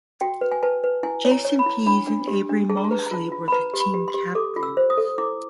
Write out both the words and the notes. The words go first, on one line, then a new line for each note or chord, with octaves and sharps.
Jason Pease and Avery Moseley were the team captains.
F#4 G5
B4
G#5
B4 A5
B4
E4 G#5
C#5
A#5
C#5
B5
E4
D4 B5
D4
G4
D4
G#4 A5
A#5
A5
B4 A#5
A5
A#5
F4 A5
F4
B5
B4 A#5
G4
B5
G4
C6
G4
A4 D6
F4
E6
C5
D#6
A4
E4 D6